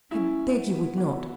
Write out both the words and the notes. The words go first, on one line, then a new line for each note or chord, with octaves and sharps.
I beg you would not.
C#4 E4
B3
F#4